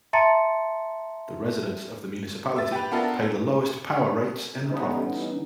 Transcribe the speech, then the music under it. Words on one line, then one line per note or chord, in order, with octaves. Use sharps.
The residents of the municipality pay the lowest power rates in the province.
E5 A5 A#5 C6 A6 C#7
E5 A6
G4 B4
B3 D4 F4 A4 A#4 E5
D3 E3 G3 B3 C#4 D#4